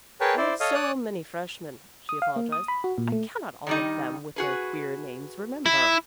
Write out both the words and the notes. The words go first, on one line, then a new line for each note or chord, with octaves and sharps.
"I have so many freshmen," she apologized, "I cannot all of them with their queer names remember."
G#4 A#4 B4 C#5 G5 A5
E4 C5 D5
A4 C#5 D#5 F5
C#5 D5 D#6 F#6
D#6
F5
A#3
D#6
B5
F#4
A#2
A3
D#3 G3 D#4
F#4 G#4 B4
E4